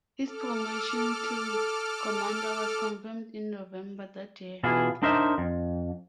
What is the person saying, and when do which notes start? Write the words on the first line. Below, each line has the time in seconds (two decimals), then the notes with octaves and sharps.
His promotion to Commander was confirmed in November that year.
0.21 A4 D6 F6
4.63 B2 E3 E4 F4 G#4
5.03 D4 D#4 A#4 C5 E5
5.38 F2